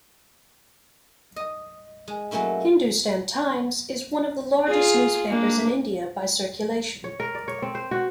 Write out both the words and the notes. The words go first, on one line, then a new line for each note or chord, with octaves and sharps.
"Hindustan Times" is one of the largest newspapers in India, by circulation.
D#5
G#3
F#3 A3 A#3 C#4 E4
F4 G#4
A#3 D4
C#5
A#4
D5
C#5
C4
C5
F#4